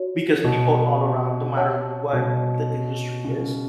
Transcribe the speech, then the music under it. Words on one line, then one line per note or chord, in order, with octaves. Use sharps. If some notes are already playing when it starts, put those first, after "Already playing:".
because people all around, no matter what the industry is,
Already playing: F#4 C#5
B2
C#5 F#5 A5
B2
C#3